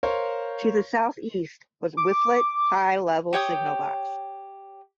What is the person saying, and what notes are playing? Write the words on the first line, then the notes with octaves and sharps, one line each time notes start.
To the southeast was Whifflet High Level signal box.
A#4 C5 C#5 F5
D6
G4 C#5 G5 D#6